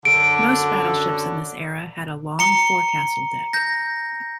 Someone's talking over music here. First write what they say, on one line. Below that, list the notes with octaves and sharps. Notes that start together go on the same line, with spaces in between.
Most battleships in this era had a long forecastle deck.
F#2 D3 D7
A#5 C#7 G7
G6 A#6